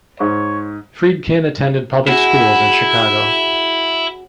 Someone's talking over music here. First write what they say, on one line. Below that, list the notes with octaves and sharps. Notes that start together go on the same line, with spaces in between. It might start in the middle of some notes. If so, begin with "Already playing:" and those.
Friedkin attended public schools in Chicago.
G#2 C#5
C#4 E4 F#4 G#4